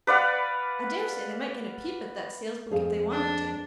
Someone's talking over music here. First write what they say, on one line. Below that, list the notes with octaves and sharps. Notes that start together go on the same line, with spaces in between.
I daresay they might get a peep at that sales book if they wanted to.
B4 D5 F5 F#5
F2 G#4 F5
D4